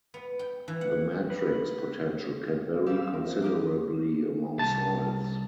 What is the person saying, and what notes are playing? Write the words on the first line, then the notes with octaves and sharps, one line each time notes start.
The matrix potential can vary considerably among soils.
B3
G5
E3
F#5
B4
G3 G4 F5 E6
F3 E4 A#4
C4
A#3 G4 D#5
C2 A5